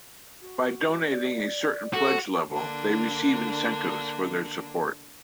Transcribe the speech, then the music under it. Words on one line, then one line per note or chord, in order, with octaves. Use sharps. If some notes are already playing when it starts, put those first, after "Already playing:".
By donating a certain pledge level, they receive incentives for their support.
F#4
D5
F#4 A4
D3 A#3 D4